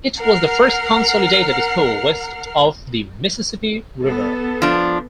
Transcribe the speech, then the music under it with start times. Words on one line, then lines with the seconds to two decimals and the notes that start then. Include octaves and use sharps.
It was the first consolidated school west of the Mississippi River.
0.19 A#4 F#5 F6 C7
4.03 B3 A4
4.62 F3 D4